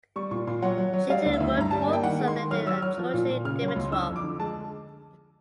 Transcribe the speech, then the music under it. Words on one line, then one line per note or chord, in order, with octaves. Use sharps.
She later wrote books on Lenin and Georgi Dimitrov.
G3 C#6
A#2 C#6
A#2 C6
F#3 F#5
F#3
F#3
G3 F5
D2
E5
D2
G2 A#5
G3 A5
G#5
A#3
G5
D#3 F#5
G#3
C6
D#3
F#3 F6
F#3 E6
F#3 F6
F3
A#2
A#2
C#3 F6
F#3
C6
C#2
D3 E6
F2
D6
D3
G#3 A5